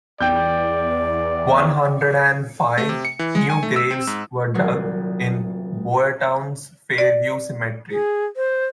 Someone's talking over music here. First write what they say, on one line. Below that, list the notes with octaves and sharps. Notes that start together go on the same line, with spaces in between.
One hundred and five new graves were dug in Boyertown's Fairview Cemetery.
E2 D5 G5 G6
A3
C3
C#7
E3
G#3
G#5
A3
E6
C4
G#2
D#1 C2 F#3 C#5 C#6 C7
D5
G#4
C5